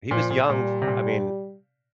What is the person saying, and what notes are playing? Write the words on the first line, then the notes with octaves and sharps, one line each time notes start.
He was young, I mea
A#2 F3
A#2
A#2 G3
C3
A#2